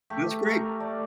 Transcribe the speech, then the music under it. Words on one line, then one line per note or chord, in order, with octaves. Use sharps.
That's great!
A3 G4
A3 A#4
A3 D5